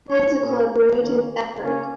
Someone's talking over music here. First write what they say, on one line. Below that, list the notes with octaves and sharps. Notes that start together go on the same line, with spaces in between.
As a collaborative effort.
C#5
A#2 A#3 C#4
D#3 A#3 C#4
C#3 A#3 C#4